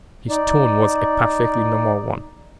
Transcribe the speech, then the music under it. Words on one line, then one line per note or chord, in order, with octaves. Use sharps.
His tone was a perfectly normal one.
D#4 D5